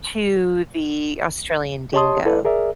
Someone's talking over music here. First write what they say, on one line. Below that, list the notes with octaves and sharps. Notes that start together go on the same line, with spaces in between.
to the Australian Dingo.
G4 C#5 D#5 A5 C6 D#6
E4 A4 B4 D5
G#4 A#4 D5 E5